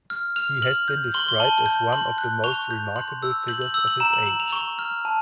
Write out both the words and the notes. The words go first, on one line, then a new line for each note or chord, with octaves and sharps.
He has been described as "one of the most remarkable figures of his age".
F6
F6 F7
F6 F#7
G6
C6 G7
G7
A5 F#7
G6
C6
F#6
C#6 F7
G6
C6
E6
G6 F#7
F#7
E6 F#7
F#7
A#5 E7
F#7
A#5 F#7
F7
C#6 F7
F6
A5